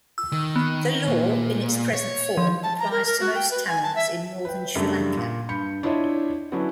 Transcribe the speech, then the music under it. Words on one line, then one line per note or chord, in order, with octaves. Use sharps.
The Law in its present form applies to most Tamils in northern Sri Lanka.
E6
D#3
B3
A#2
C#5
F3
A5
A#5
A#4
A#4
F#4
G5
B4
G#5
A5
E5
B4 G5
F#2 C#3 G3 A3 D4
A#2
G2 B5 G6 C#7
D4 E4 F4 C#5 D#5 E5
D3 F#3 B3 C#4 D4 E4